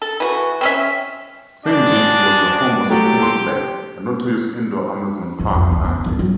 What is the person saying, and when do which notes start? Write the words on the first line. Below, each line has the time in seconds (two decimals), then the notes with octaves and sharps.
Saint James was the home of Spaceplex, a notorious indoor amusement park and arcade.
0.02 A4
0.20 E3 F#4
0.61 C4 C#4 E5
1.65 G#3 D4 F#4 D5
2.89 F#3 A3 G4
3.19 A4 C6
5.39 E3
5.54 F2
5.72 D2
5.84 B3
6.06 D#3
6.19 F#3